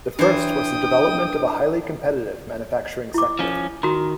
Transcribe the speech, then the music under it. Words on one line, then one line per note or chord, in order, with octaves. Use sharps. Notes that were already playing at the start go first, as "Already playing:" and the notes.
The first was the development of a highly competitive manufacturing sector.
E3 D4 B4 C5 G5 D#6
E4 D6
F3 C#4
D#3 F#4 A#5